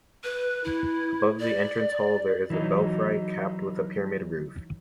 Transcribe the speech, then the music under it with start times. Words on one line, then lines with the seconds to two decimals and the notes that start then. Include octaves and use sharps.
Above the entrance hall there is a belfry capped with a pyramid roof.
0.24 B4
0.64 E4
1.40 D5
2.50 E3 F#3 D#4